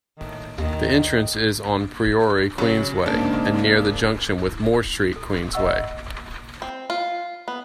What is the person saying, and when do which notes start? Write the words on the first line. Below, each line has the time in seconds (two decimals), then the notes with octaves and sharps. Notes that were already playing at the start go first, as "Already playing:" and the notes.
The entrance is on Priory Queensway, and near the junction with Moor Street Queensway.
0.17 A2 D#3
0.58 D#2 D#3
2.58 C#3 F#3 C#4
3.06 G#2 C#3 A#3 D4
4.44 E4
5.16 A4
5.53 F4 D#5 E5 F#5 C#6 E6
6.62 C4
6.90 F4
7.48 B3